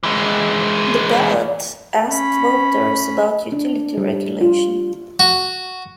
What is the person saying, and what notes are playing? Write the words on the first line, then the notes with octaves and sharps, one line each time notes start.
The ballot asked voters about utility regulation.
E3 G#3
C#4 B5
D4
G3
F4
F#4